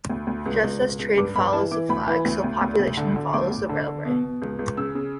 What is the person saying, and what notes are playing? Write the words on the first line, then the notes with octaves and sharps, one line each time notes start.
Just as trade follows the flag, so population follows the railway.
D2
D2
C#2
C#2
C#2
C#2
G2 D6
G2 B5
E3 A5
E3 D6
D2 B5
E3
D2
D2
D2
D2
D3
D3
D2 D6
D2
D3
D3
B2
B2
C#2
C#2
C#3 E6
C#3